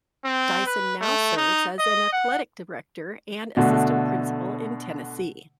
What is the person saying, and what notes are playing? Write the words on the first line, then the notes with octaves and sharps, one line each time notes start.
Dyson now serves as an athletic director and Assistant Principal in Tennessee.
C4
B4
A3
D#4
D#5
F#5
B2 D3 A3